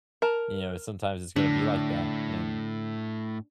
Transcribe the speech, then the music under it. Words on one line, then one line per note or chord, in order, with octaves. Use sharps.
you know, sometimes it's gonna be like that and
A#4 A5
A2 D3 D4